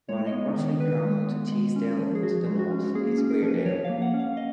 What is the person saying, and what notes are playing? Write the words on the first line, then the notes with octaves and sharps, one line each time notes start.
Running roughly parallel to Teesdale to the north is Weardale.
G#3 C#5
D#5
B3
D#3
D#3 B4
G#3
B3
G#3
C#4
F3
G#4
F3 F#4
G#3
F#4
C#4
A#3 G#4
G#4
C#4
A#4
F3
B4
F3 C#5
F5
A#3
F#5
C#4
F5
D#5